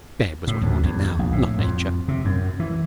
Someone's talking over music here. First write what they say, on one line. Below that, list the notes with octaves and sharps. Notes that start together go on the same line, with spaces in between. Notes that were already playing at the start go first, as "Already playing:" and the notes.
Bed was what he wanted now, not nature.
A2
D2
E2
A#1
A2
F2
C3
F#2
E3